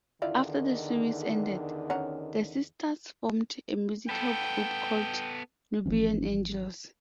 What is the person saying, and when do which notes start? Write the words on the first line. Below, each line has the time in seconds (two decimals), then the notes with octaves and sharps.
After the series ended, the sisters formed a musical group called Nubian Angels.
0.22 E2 D3 D#3 E4 F4 D5
1.90 C#4 F#5 A#5
4.09 B3 A4 G5
5.86 G#1 E3 F3 C#4